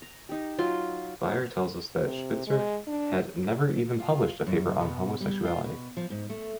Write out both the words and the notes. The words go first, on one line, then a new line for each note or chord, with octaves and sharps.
Bayer tells us that Spitzer had never even published a paper on homosexuality.
A#5
D#4 G4
F#3 F4 C6
C3
G#3
D4
F4
F#2
B2
G3
F4
B2
F3
G#2
A3